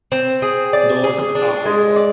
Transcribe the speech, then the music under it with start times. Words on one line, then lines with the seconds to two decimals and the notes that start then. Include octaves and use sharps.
North Africa.
0.12 C4
0.42 G#4
0.73 D5
1.04 G#4
1.35 D4
1.65 G#3
1.96 D5